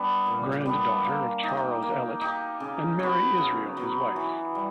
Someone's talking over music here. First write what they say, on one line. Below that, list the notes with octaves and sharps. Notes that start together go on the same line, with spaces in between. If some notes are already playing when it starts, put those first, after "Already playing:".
Granddaughter of Charles Ellet and Mary Israel, his wife.
Already playing: G3 B3 D4
A#2
G3 B3 D4
A#3
D#4
G4
A#3
D#4 G4
C#3
F#3 B3
C#3
F#3 B3
E3
G3